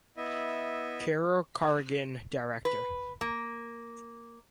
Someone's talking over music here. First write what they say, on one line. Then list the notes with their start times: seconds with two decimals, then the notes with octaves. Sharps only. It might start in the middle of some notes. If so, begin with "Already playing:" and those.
Carol Carrigan, Director.
0.17 B3 E4 D#5 E5
2.65 B4
3.21 A#3